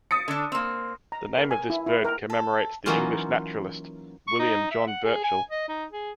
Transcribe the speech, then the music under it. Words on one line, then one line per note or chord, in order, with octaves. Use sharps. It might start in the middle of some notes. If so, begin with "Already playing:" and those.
The name of this bird commemorates the English naturalist William John Burchell.
D#6 A6 C#7
D3 D4
A#3 C4
A#5
A#4
G#5
E4
E4
A#4
A4
E3 F#3 A#3 C#4 D#4 F4
C#6
D#4
E5
F#5
G#4
G#5
D#5
D#4
G#4